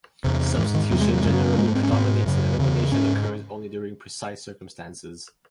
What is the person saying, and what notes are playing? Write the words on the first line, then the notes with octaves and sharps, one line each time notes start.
Substitution generally predominates and elimination occurs only during precise circumstances.
E2 C3
G#2 E3
D#3
E2 C3 F#3
G#3
F#3
F#2 C#3 G#3
F#3
A3
G#2 G#3
A3
C4
C#4
G#2 C4
F#2 C#3
E2 C#3
G#2 C#4